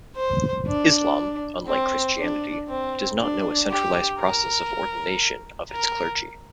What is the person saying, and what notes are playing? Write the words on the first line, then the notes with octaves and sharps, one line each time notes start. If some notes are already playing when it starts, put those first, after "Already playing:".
Islam, unlike Christianity, does not know a centralised process of ordination of its clergy.
C5
D4
C4
D4
C4
D4
G4
A#4
A#4